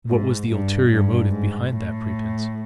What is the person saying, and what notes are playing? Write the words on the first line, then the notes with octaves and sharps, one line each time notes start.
What was the ulterior motive behind that pretence?
G#2
G2
G2
G#2
A2